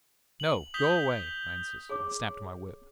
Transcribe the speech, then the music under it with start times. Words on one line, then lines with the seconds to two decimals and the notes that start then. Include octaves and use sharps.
"No; go away," I insisted, and snapped my whip.
0.40 F#7
0.74 D#6 G6 B6 F7 G7
1.89 G#4 C#5 D6